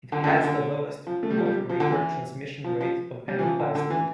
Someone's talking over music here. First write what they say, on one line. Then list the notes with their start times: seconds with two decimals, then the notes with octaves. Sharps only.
It has the lowest water vapor transmission rate of any plastic.
0.12 D3
0.24 D3
0.27 C#3
0.43 D3
1.07 F3
1.23 A3
1.30 G3
1.38 F3
1.45 G3
1.69 F3
1.80 D3
1.91 E3
2.64 F3
2.81 F3
3.28 G3
3.39 E3
3.43 F3
3.59 D3
3.75 D3
3.90 E3